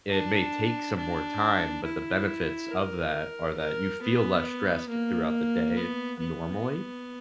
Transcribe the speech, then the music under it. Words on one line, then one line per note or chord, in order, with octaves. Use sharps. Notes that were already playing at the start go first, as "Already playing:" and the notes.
it may take some more time, but the benefits of that, are that, you feel less stressed throughout the day, normally.
D4
D4
E4
A#4
A#4
B3
A#3
B3
B3